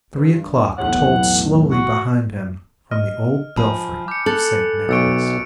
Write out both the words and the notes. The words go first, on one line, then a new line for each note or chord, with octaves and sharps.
Three o'clock tolled slowly behind him from the old belfry of St. Nicholas.
G2
B1 E2 A2 F#5
F#4
D#5 F6
F3 G#5 A5 B5
D6 F6 G6 C#7
A4 F#6 A6 F#7
B1 C#6 D6 E6 A6 C#7 D7